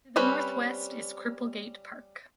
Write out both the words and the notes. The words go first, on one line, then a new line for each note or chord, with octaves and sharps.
To the northwest is Cripplegate Park.
G3 C4 C#4 B4